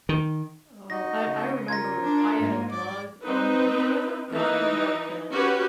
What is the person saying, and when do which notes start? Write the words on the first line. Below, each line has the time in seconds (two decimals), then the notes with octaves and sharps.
Oh, I I remember I had a dog, um, we never got him, like, uh,
0.09 D#3
0.90 D#4 F#4 D#5 A#6
1.25 C#3
1.68 F4 A#4 G#6 A#6
2.01 D4
2.40 G#2 A#3
2.71 D5 D6
3.23 C4 D#4 B4
4.33 E3 D#4
5.31 C#4 F#4 G4 B4